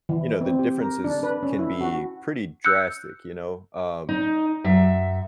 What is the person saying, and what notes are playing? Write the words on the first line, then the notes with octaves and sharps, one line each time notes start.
you know the differences can be pretty drastic. You know? Um,
E3
C4
G4
A#4
D4
B4
C#4
E4
F#4
E6 F#6 G6 C#7
D#4
F#2 E5